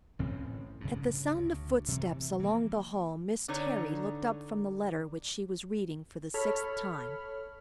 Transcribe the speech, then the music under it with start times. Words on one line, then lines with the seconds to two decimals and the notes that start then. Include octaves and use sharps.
At the sound of footsteps along the hall Miss Terry looked up from the letter which she was reading for the sixth time.
0.19 A1 A2 C4 C#4
0.81 G2 C#3
1.34 D2
1.88 C3 E3
2.40 E3 A#3
3.48 D3 D#4 B4 C#5
6.34 A4 C#5 B5 F6